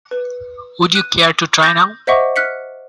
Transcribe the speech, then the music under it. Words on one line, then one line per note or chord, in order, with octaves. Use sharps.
Would you care to try now?
B4
F#6 D#7
G6 A6 A#6
C5 D#5 E5 F#5 C#6 D6
F6 F#6 B6 C#7